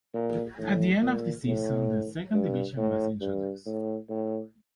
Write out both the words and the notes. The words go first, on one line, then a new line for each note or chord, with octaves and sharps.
At the end of the season the second division was introduced.
A#2
A2
A#2
A2
G2
A2
G2
A2
A2